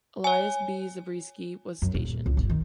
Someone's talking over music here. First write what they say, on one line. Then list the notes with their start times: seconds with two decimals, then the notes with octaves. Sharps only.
Elias B. Zabriskie, was stationed.
0.24 C#5 G#5
1.82 F#2
1.94 D#1
2.26 C#2
2.37 G1
2.50 D#3